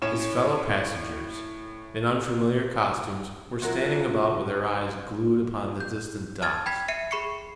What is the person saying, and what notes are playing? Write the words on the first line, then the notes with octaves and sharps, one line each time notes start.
His fellow passengers, in unfamiliar costumes, were standing about with their eyes glued upon the distant docks.
A2 C#4 C#5 E7
C3 F#3 C#4 F4 A#4
G6
A5 F6 G#6 A6
G5 B5 G#6 B6
E5 C7 C#7 D#7
G#4 B5 C#6 C7 C#7